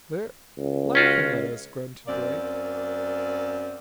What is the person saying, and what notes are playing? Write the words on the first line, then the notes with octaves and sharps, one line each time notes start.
"They're--laughing at us!" grunted Drake.
C#2
C#4 F4 F#4
F#2 A#3 C4 D5